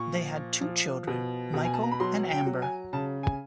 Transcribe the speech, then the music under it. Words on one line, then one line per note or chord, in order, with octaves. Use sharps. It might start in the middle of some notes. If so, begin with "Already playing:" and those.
They had two children, Michael and Amber.
Already playing: A#2 C#6
F3
F3
B2
B2
G#5
A5
A#5
B5
F#3 C6
G5
F#3
G#5
C#3 A5
G#5